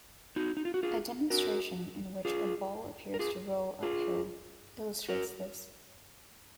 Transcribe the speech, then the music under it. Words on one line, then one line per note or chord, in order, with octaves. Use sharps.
A demonstration in which a ball appears to roll uphill illustrates this.
D#4 F#4
D#4
F4
F#4
F4 G#4
F#4 A#4
F4 G#4
A#4
F4 G#4
F4 G#4
F#4 A#4